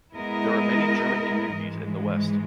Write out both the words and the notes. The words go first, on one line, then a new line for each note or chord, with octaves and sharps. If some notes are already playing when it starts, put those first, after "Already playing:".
There are many German communities in the west.
G#3 B3 E4 A#4 D#5
G#2 E3 G#3